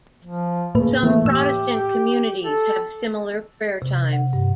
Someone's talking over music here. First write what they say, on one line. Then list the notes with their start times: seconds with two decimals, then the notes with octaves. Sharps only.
Some Protestant communities have similar prayer times.
0.24 F3
0.75 A2 C#3 A#3 B4
1.03 E3 A3 A#3
1.25 A2 G4 E6
2.43 A4
3.82 C3
4.13 F#5
4.33 G2